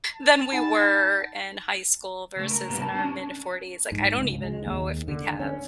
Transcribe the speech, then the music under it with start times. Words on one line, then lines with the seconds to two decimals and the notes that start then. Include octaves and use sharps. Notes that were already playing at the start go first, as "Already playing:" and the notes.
than we were in high school versus in our mid-forties. Like, I don't even know if we'd have
0.13 A5
0.52 D#4 F#5 G#5
2.36 C#2 A3
2.51 A#4
2.68 G#2 C3 G3 A#3 B3
2.81 A5
2.95 C#4 D4
3.92 G#2
4.19 C#2
4.44 G#3
4.65 D#2
5.08 D3
5.40 C#4